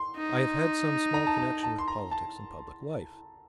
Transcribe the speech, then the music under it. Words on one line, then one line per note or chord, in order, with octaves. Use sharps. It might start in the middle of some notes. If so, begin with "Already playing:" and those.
I have had some small connection with politics and public life.
Already playing: C6
D#4
A#5
A5
A5
A5
C6
A#5
A5